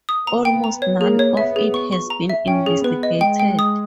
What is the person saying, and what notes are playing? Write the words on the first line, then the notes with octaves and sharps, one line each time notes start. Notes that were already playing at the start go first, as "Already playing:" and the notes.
Almost none of it has been investigated.
D#6
B3 A#5
G5
A#5
C#5
A#3 G#4
C#5
B3 E5
G#4
C#6
C#6
A#5
E5
C#4 G5
G#4
B3 B4
D#5
G#3 G5
G5
D#6